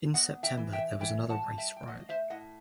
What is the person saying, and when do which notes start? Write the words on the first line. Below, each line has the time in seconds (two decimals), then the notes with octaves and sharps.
In September there was another race riot.
0.14 B3 D#5 F#5
0.43 E5 G5
0.57 E3
0.73 E5 G5
1.01 E3 E5 G5
1.30 F#5 A5
1.44 G3
1.58 E5 G5
1.76 G5
1.87 A3 D#5 F#5
2.00 D#5
2.09 C5 E5
2.30 A2 D#5 F#5